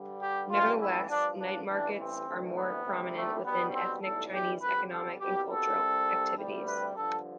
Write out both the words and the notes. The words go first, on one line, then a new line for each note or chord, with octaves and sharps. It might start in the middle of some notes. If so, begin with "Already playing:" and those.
Nevertheless, night markets are more prominent within ethnic Chinese economic and cultural activities.
Already playing: G2 D3 G3
G4
A1 G2 E3 G3 F4
E4
G2 F3 D4
D4
A1 G2 E3 D4
C4
D2 C3 E3 G3
B3
D2 C3 G3
A3
B1 B2 G3 B3
C4
B1 A2 E3 G3 A4
G4
F2 D3 G3 B4
A4
C2 B2 G3 G4
A4
C2 C3 G3
D2 C3 G3
B4
G2 D3 F3 A4